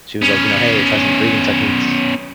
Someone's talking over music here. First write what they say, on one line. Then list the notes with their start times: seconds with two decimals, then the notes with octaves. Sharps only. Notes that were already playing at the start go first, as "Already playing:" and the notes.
she was, like, you know, "Hey, try some breathing techniques"
0.22 B3 C#4